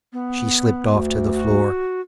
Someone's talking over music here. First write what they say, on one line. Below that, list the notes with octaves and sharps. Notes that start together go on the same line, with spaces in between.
She slipped off to the floor.
B3
D2
F#4